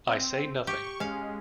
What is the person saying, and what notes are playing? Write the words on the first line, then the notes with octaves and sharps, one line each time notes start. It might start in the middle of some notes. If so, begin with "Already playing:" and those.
I say nothing.
C4
G4 C#6
G#3 C#4 F5